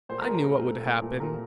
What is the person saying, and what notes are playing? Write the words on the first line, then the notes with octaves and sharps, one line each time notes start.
I knew what would happen.
A#2 C5 C6
A#4 A#5
A#2
A#4 A#5
A3
A3
A#2
A#2
A#2 A#4 A#5